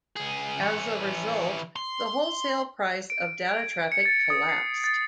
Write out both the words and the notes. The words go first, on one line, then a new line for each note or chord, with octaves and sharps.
As a result, the wholesale price of data traffic collapsed.
C#2 G#4
E3 C#5
C6
D7
G#6
C#7
A6
D#6
C7
A6